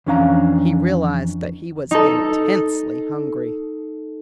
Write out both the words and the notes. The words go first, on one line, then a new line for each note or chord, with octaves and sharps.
He realised that he was intensely hungry.
F2 E3 C#4 D4 F5 A#5
D#4 A4